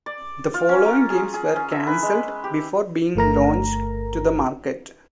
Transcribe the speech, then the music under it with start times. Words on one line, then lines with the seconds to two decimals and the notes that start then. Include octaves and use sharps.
The following games were cancelled before being launched to the market.
0.06 D5
0.54 F4
0.69 C#4
0.85 A#4
1.10 G#4
1.34 G#4
1.56 C#4
1.71 E5
1.87 B4
2.03 G#3
2.44 G4
3.15 G1 A3 A#4 A#5